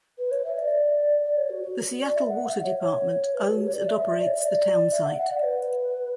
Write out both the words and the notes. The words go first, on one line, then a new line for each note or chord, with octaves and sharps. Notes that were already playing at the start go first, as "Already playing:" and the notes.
The Seattle Water Department owns and operates the townsite.
B4
C#5
E5
D5
D5
C#5
F#4
F#4
D5
E5
F#5
E5
C#5
C#5
B4
F#4
G4
C#5
D5
E5
E5
D5
C#5
E5
D5
E5
F#5
F#5
D5
B4